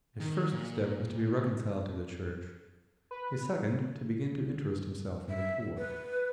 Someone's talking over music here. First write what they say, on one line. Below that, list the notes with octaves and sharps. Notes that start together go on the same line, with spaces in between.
His first step was to be reconciled to the Church, his second to begin to interest himself in the poor.
D#3
A#2
B4
E5
B4